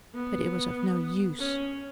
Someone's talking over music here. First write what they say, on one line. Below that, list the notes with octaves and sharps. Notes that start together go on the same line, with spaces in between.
But it was of no use.
B3
C#4